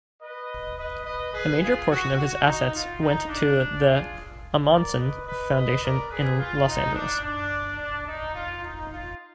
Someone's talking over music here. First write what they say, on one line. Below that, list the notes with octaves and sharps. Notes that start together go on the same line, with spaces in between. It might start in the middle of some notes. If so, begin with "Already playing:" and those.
A major portion of his assets went to the Ahmanson Foundation in Los Angeles.
B4 D#5
B4 D#5
B4 D#5
G#4 B4
F4 G#4
F#4
F#4
D#4
F4
D#4
D4
F4 G#4
A#4 D5
B4 D#5
B4 D#5
B4 D#5
A#4 D5
G#4 B4
F4
D#4
D4
D4
D4
D#4
F4
D#4
F4